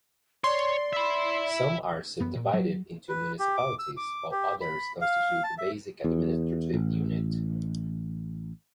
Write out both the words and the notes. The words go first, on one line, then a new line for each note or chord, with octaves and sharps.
Some are subdivided into municipalities, whiles others constitute the basic administrative unit.
C#5 D5 C6
E5 B5
F#2 B3
A#2
F#3
B4
G4
D6
E6
D6
G4
B5
F5
A5
E5
E2
A1